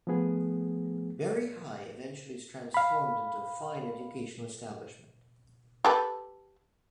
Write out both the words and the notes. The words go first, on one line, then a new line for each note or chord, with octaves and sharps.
Barry High eventually is transformed into a fine educational establishment.
F3 A3 B3 G#4
F5 B5
G4 A4 B4